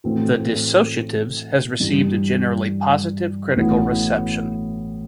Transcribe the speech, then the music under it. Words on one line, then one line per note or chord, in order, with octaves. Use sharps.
"The Dissociatives" has received a generally positive critical reception.
A2 E3 A3 C4 F#4
G2 E3 G3 D4
A1 A2 E3 B3 F#4